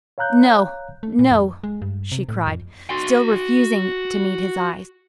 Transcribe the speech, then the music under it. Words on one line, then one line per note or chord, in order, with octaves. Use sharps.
"No, no," she cried, still refusing to meet his eyes.
C#5 F5 A#5 F#6 G6
A3
A#2
F2
G#3
G2
C3
A2
F2
F#4 C6